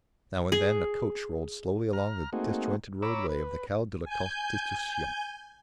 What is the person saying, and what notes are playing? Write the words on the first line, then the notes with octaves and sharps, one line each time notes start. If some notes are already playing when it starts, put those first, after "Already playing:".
Now and then a coach rolled slowly along the disjointed roadway of the Calle de la Constitucion.
G#4
A#5 F6
A3 A#3 C4 D#4 F#4 G#4
C#5 A#5 B5 D6 E6
B4
G#5 G6